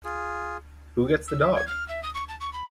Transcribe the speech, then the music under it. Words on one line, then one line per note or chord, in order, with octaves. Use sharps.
Who Gets the Dog?
F4 G#4
E6
E5
G#6
F6
E5
D#6
C#6
A5
C#6
B5